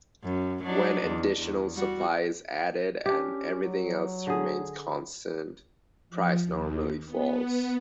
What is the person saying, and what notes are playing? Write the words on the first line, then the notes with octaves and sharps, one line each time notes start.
When additional supply is added and everything else remains constant, price normally falls.
F#2
F#3 D4 D#4
E2
E2
G3 F#4
C#4 D4 G4
F#3
D3 G#4
F3
D#2
B3